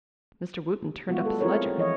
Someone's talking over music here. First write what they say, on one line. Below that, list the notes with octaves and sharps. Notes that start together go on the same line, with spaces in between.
Mr. Wootten turned up his ledger.
G3 G#3 B3 F4 F#4
A3 A4
C4 E4 F4 G#4 A#4 C#5
E3 F3 E4 C#5 D#5